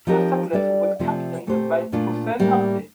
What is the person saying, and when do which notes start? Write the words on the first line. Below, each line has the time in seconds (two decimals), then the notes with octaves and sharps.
Persepolis was captained by Hossein Abdi.
0.07 F3 C4 D#4 G4 A#4
0.53 G3 D4 A4 D5
0.99 C3 F3 A3 C4 F4
1.47 A#2 A3 C4 G4 C5
1.92 A#2 A3 D4 F4
2.39 A2 G3 A#3 D4